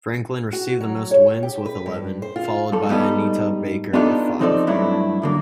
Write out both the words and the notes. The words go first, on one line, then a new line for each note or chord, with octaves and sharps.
Franklin received the most wins with eleven, followed by Anita Baker with five.
F#4
F#3
C#5
G4
B4
G2
C5
F4
G2 A4
G#2 G3 B3 D#4 A4
B3 D4 D#4 F4 G4 A4
F3 C4 D#4 A4 C#5 D5
G2 F#3 A3 D4 E4
F#2 D3 A#3